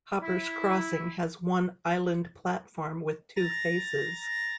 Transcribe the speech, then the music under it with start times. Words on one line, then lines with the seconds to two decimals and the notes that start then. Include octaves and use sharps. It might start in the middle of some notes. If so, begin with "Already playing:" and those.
Hoppers Crossing has one island platform with two faces.
0.23 E4
3.36 A#5 A6 A#6